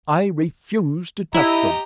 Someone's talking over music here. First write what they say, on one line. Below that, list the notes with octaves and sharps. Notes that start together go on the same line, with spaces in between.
"I refuse to touch them."
E4 G4 D#5 A#5